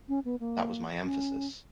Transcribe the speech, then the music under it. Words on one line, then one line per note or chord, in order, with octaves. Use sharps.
That was my emphasis.
C#4
B3
A#3
C#4